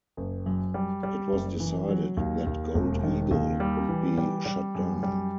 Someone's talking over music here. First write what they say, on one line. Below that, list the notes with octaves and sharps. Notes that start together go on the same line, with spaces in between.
It was decided that Gold Eagle would be shut down.
F#1
F#2
G3
G3
F#1
E3
F#3
D#2
D#2
E1
D#3
D#2
G3
E3
G3
G3
F#2
G3